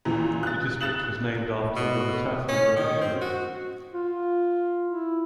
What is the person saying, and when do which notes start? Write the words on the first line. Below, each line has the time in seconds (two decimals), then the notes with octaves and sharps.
The district was named after the River Taff and the River Ely.
0.05 C#2 A#2 E3
0.43 F#6 A6
0.81 F#6 A6 E7 F#7
1.76 B2
2.49 C#4
2.76 D#3
3.01 C4
3.21 F#4
3.93 F4
4.88 E4